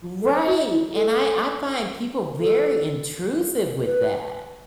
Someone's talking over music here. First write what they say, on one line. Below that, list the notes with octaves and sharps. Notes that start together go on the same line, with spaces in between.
Right, and I I find people very intrusive with that.
A4
F#4
E4
A4
A4
B4